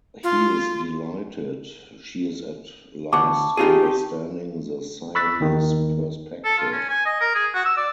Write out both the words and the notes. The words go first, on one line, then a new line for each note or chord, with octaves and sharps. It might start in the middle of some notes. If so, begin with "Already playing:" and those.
He is delighted; she is at last understanding the Siamese perspective.
F4
D2 F#5 A5 C#6 D6
C4 D#4 F4 G4 G#4
B5 C#6 E6 F#6 A6 B6
D#2 D#3 A#3
A4
F4
C#4
G#5
D#5
A#4
G#4
F#4
E6
D5